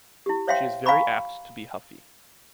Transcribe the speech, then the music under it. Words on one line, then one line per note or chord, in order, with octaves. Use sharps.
She is very apt to be huffy.
E4 G4
C5 C#5 E5 F5 G5 C6
F5 G#5 A#5 B5 C#6